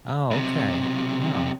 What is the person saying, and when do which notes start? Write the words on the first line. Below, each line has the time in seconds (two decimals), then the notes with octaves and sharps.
Oh, okay. Oh,
0.31 B1 C3